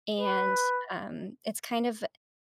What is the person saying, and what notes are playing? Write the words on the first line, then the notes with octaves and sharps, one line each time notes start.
and, um, it's kind of
B4